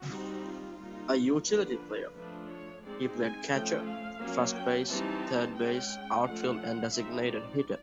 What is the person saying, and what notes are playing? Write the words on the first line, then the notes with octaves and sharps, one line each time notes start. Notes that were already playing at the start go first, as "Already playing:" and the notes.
A utility player, he played catcher, first base, third base, outfield and designated hitter.
Already playing: F#4
G3 C4 D#4
F4
G3 A#3 D#4
D3 F3 A#3 D4 B4
F3 A3 D4 B4
C#5
G#3 C4 D#4 D5
G#5
F3 A3 C#4 G5
F5
F#3 A#3 C#4
G5
E3 G3 C4 D#4 A5
G#3 C#4 G5
F3 A3 C#4 F#5
F3 G#3 C4 D#4 E5
D5